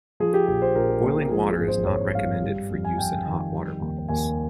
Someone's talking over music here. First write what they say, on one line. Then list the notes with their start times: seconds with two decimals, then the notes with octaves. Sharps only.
Boiling water is not recommended for use in hot water bottles.
0.20 F3 G#4
0.34 G4
0.48 A#1 G#4
0.62 C5
0.75 A#1 A#4
1.03 A#2
1.22 A#4
1.31 F3 G#4
1.50 G#4
1.59 G#1
1.68 C5
1.86 G#1 C#5
2.14 G2 F5
2.42 G3
2.70 F2
2.85 G#5
2.98 F2 G5
3.26 D#3
3.53 G3
3.81 D#2
4.09 D#2 G#5